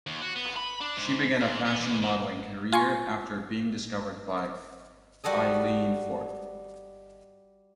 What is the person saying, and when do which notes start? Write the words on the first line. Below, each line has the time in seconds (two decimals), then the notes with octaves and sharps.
She began a fashion modeling career after being discovered by Eileen Ford.
0.07 D#2
0.22 F#4
0.36 B3
0.56 B5
0.81 D4
0.97 G#2
1.41 G#2
1.65 B3
1.80 E2
2.02 A#2
2.72 F4 G#5 C6 C#6
5.24 G3 F#4 A4 D#5